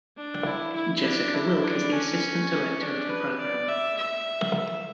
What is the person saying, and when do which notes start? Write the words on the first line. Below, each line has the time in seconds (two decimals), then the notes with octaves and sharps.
Jessica Wilke is the Assistant director of the program.
0.17 D4
0.46 E4
0.75 E4
1.05 D4
1.34 E4
1.64 D4
1.92 C#4
2.80 D4
3.09 B4
3.39 D5
3.68 E5
3.97 E5